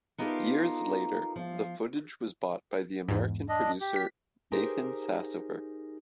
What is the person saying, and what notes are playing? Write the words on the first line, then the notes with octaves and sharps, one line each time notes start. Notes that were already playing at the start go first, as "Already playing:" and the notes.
Years later, the footage was bought by the American producer Nathan Sassover.
B3 D#4 F4 G4 A4 A#4
F3 F4
E2 G#2
D4 D#5
G4
B6
D#4 G4 G#4 A#4 C5